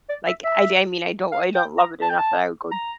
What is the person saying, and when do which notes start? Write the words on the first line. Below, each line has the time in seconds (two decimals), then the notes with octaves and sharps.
like, I I mean, I don't I don't love it enough that I would go
0.09 D5
0.27 E5
0.44 E5
1.32 F5
1.55 G5
1.78 A#5
2.02 A5
2.10 G5
2.18 A5
2.71 A#5